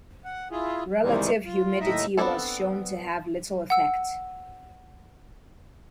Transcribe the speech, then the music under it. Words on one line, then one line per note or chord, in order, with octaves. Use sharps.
Relative humidity was shown to have little effect.
F#5
E4 F4 G#4
G#2 C3 D#3 E3 G3 G#3
F4
D#2 A2 D#4 D#5 E5
B3 C4 D4 G#4 A4
F#5 E6